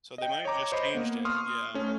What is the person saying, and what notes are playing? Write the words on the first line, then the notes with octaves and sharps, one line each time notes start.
so they might've just changed it. Yeah.
D#5 G5
C#5 D#5 A#5 D6
C5 C#5 D#5 B5
A#3 B3
C6 C#6 D#6 F6
A3 C#4